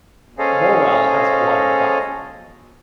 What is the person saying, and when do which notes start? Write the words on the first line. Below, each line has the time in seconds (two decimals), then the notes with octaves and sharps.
Morwell has one platform.
0.39 C#4 G#4 A4 C5 D#5 F5